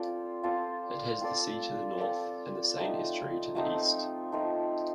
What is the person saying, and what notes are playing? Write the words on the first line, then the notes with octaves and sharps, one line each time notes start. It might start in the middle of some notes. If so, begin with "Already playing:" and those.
It has the sea to the North, and the Seine estuary to the East.
Already playing: C4 F4 A4 D5
C4 F4 A4 D5
C4 F4 A4 D5
C4 F4 A4 D5
F3 A3 C4 D#4
F3 A3 C4 D#4
F3 A3 C4 D#4